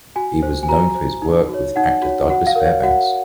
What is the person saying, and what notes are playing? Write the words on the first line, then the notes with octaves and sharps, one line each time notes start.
He was known for his work with actor Douglas Fairbanks.
F#4 G#5
C5
G#5
F#4 A#5
C5
D#4
F#4
C#5
D#4 F#5
F#4 C#5
F#4 F#5
F5
A#4 C#5
F5
F#4 F#5